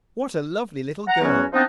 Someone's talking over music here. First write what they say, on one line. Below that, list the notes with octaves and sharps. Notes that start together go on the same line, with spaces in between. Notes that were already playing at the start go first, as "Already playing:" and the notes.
'What a lovely little girl!
F#5 A#5
E2 F#3 B3 C#4 F#4
F3 B3 C4 D4 D#4